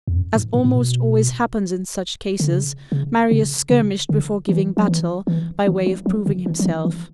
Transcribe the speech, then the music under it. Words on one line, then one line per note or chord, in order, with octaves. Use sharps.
As almost always happens in such cases, Marius skirmished before giving battle, by way of proving himself.
E2
F#2
G#2
A2
A2
B2
D3
C#3
C#3
C#3
C#3
D3
E3
F#3
E3
E3
E3
F#3
F#3
D3
E3
F#3
E3
E3